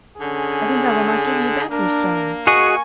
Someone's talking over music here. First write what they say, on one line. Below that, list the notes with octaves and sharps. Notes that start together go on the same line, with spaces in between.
I think I will not give you back your stone.
D3 C#4 G#4
A#3 D4 A#4
F#4 G#4 D#5 G#5 C#6